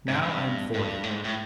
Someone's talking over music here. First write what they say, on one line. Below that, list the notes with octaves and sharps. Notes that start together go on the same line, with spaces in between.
Now I am forty.
G#2
G2
G#2
G2
A2
G#2
A2